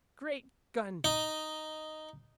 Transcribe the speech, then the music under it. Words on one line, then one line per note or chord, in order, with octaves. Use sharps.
Great guns!
D#4